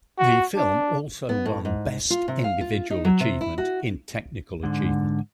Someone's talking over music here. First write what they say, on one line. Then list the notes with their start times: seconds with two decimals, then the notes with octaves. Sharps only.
The film also won "Best Individual Achievement" in technical achievement.
0.18 F#4
0.56 D4
1.29 B3
1.46 A2
1.65 G#2
2.10 F4
2.28 C3
2.44 F5
2.61 F4
2.90 D#4
3.05 F#3
3.20 C3
3.41 E4
3.58 F#4
4.63 G#2 D3